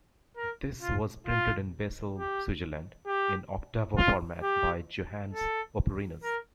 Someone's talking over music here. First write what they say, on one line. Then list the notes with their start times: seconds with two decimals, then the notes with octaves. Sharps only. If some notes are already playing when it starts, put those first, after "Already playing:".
This was printed in Basel, Switzerland in octavo format by Johannes Oporinus.
0.37 A#4
0.82 F4
1.27 F4
2.18 G4
3.07 G4
3.98 F4
4.42 G4
5.34 A4
6.24 A#4